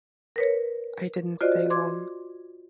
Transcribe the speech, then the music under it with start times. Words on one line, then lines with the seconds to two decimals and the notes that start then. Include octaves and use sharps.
I didn't stay long.
0.36 A#4 B4 C#5
1.41 F4 F#4 C5 D5 D#5
1.70 C6 D6 G#6